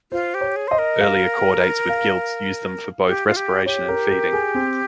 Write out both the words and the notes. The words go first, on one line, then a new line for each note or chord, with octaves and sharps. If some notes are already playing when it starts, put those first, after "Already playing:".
Earlier chordates with gills used them for both respiration and feeding.
F4 C5
G4
C#5
G#4
C5 D#5
A#4
F5
F5
G4
F4
G4
G4 C#5
A#4
A#4
G#4
C4